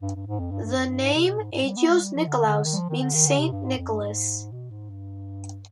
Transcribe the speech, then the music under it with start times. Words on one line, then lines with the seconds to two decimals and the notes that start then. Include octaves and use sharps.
The name Agios Nikolaos means "Saint Nicholas".
0.02 G2
0.15 G2
0.27 G#2
0.40 F2
0.51 G2
0.64 G2
0.77 F2
0.89 G2
1.01 G#2
1.15 C3
1.26 B2
1.39 G#2
1.52 G#2
1.64 G3
1.77 B3
1.89 G#3
2.02 G3
2.14 F3
2.27 D3
2.45 D3
2.64 D#3
2.73 G3
2.76 F3
2.89 D#3
3.01 D3
3.14 D#3
3.27 D3
3.38 C3
3.51 G2
3.64 G#2
3.77 F2
3.89 G2
4.01 G#2
4.52 B2
4.70 G#2
4.89 G2